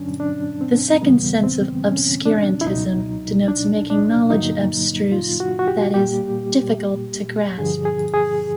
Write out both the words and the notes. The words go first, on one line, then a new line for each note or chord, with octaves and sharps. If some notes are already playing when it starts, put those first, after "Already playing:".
The second sense of "obscurantism" denotes making knowledge abstruse, that is, difficult to grasp.
Already playing: G2 D3 F#3 C#4 D4
D4
C4
E2 C#3 E3 G3 B3
C4
C#4
D4
E4
C#2 B2 F#3 D#4
D4
D4
G2 D3 F#3 A#3 D#4
F4
F#4
F#4
G4
A#2 G3 A#3 G4
G2 D3 F3 G#4
G#4
G#4